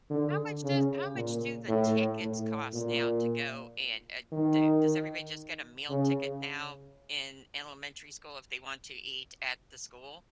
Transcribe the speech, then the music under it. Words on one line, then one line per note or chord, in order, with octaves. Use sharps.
How much does how much do the tickets cost now to go in, u h, do does everybody just get a meal ticket now in elementary school if they want to eat at the school,
D3
C#3
A#2
A2
A2
A#2
D#3
C#3